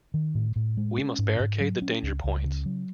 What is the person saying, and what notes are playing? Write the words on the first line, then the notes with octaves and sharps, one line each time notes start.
We must barricade the danger points.
D#3
A2
A2
G#3
C#4
G#2
G#2
F#3
C#4
C#2
C#2
C#3
F#3